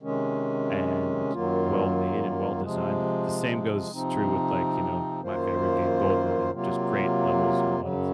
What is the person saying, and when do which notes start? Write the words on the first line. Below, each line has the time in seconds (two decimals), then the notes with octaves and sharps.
and well made, and well designed, uh, the same goes true with like, you know, my favorite game, GoldenEye, just great levels and a lot of
0.02 C3 D#3 G#3 C#4
1.32 F#2 D#3 F#3 A#3 F4
2.62 C3 F3 G#3
3.91 C3 F3 C4 D#4
5.21 F#2 D#3 A#3 F4 C5
6.51 C3 F#3 A#3 F4
7.80 F#2 C#3 F#3